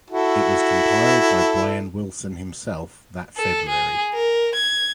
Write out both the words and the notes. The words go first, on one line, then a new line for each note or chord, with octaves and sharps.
It was compiled by Brian Wilson himself that February.
E4 F#4 A4
A4
G#4
A#4
G#6